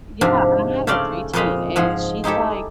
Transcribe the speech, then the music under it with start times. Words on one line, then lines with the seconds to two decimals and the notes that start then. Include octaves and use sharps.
Yeah, and I have a preteen, and she's like,
0.21 G#2 C3 F3 D4
0.87 C#3 A3 C#4 D5 F5 C6
1.33 F2 A#2 G#3 D#5 F5 B5
1.76 G#2 F3 G#4 F#5
2.24 G#3 D#4 E4 G4 A4